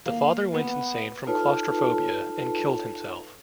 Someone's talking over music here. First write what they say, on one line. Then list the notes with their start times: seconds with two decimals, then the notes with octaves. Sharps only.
The father went insane from claustrophobia and killed himself.
0.06 A#3
0.54 B3
1.27 D#4 F4 A4 B4 C#5 A5